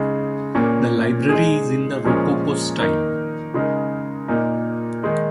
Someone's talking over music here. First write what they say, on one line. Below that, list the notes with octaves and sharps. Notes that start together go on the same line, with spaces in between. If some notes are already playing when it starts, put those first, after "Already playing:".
The Library is in the Rococo-style.
Already playing: C#3 G#3 D#4
A#2 A#3 C#4
G#3 D#4 G#4
A#2 F3 G#3 C#4 A#4
D#3 A#3 D#4 A#4
C#3 G#3 D#4 A#4
A#2 A#3 D#4 A#4
D#3 G#3 D#4